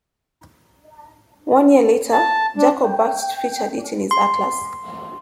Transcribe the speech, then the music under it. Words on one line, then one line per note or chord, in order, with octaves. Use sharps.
One year later, Jakob Bartsch featured it in his atlas.
A5
D4
G5
C6